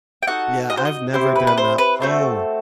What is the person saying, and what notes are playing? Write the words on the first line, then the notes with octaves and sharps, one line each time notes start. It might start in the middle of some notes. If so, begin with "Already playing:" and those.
Yeah, I've never done that o Oh,
G5
D#4 F#4 A4 F#5
D#5
C5
D#5
C4 E4 G4 C5
B4
B4
C5
B4
A3 C4 F#4 A4